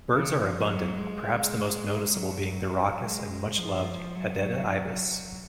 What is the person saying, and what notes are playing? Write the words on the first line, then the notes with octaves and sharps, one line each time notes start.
Birds are abundant, perhaps the most noticeable being the raucous and much-loved hadeda ibis.
C#3
F3
F#3
G#3
F#3
G#3
F3
F#3